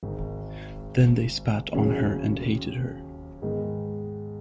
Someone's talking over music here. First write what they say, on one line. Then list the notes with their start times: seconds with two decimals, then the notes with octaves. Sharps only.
Then they spat on her and hated her.
0.03 G#1 G#2 D#3
1.73 D#2 C#3 F#3 C#4 G#4
3.42 G#2 D#3 G#3 B3